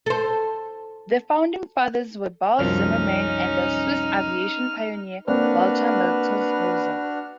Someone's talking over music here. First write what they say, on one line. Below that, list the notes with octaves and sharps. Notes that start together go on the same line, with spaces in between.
The founding fathers were Balz Zimmermann and the Swiss aviation pioneer Walter Mittelholzer.
A4 C5
C2 F#2 F3 C#4 D#4 F6
A#3 C4 D4 F#4 B4 D5 F6